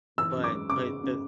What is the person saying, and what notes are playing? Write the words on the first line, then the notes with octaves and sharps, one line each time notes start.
But but the
E3 E6
F#2
D6
G#3
C#3 D6
C#3
C#3